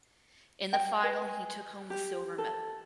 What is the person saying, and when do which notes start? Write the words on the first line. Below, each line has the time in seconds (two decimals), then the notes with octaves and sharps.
In the final he took home the silver medal.
0.73 G5
1.03 B4
1.22 G#5
1.90 G4
2.38 A4